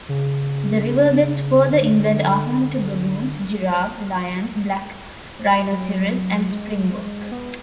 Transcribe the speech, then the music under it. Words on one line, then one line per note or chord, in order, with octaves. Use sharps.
The riverbeds further inland are home to baboons, giraffes, lions, black rhinoceros and springbok.
C#3
D3
D3
F#3
G#3
B3